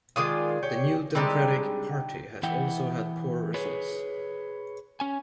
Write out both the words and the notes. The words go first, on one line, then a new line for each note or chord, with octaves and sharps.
The New Democratic Party has also had poor results.
D#3 G#3 F4 G#4 D5 D#6
G4 C#5 G5
G3 G#3 C4 D4 D#4 G4
E3 E4 E5 F#5 G5
G#4 B4 C#5
C#4 G#5